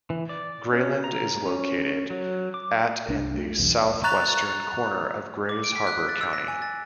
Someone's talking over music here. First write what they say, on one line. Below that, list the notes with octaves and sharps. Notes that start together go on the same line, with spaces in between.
Grayland is located at in the southwestern corner of Grays Harbor County.
E3
D5
C#4
A#5
C#4
F#3
D6
C2 D4
A3
B1 E2 G2
A#5 C#6 F#6 A6 F7
D6
D7
B6
F#6
A6
E6
A#6
G#5
A6